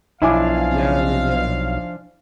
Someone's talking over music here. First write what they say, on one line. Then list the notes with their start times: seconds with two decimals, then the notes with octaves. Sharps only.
Yeah, yeah, yeah.
0.22 B1 F3 D4 E4 F5 G#5 D6